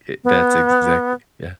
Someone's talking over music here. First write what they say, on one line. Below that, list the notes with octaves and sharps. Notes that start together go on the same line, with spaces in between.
It that's exactly Yeah.
B3